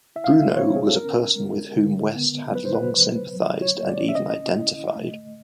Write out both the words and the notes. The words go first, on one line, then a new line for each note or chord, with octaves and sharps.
Bruno was a person with whom West had long sympathised and even identified.
E4 E5
F5
E5
C5
B3 C#5
G#4
A4
C#4 A#4
G#3
D3
B3
F#3 B4
C5
B4
F#3
F#3
C#5
A#3
D5
E5
C#4 D#5
E4
A3